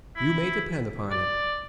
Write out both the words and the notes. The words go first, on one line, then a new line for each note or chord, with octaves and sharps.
"You may depend upon it."
E4
D5